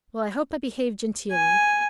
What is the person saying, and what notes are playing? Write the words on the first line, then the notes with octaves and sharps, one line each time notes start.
"Well, I hope I behave genteely?"
G#5